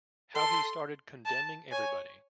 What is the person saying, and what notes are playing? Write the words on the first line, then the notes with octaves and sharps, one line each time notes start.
How he started condemning everybody.
A4 C6
A5
C#5 G#5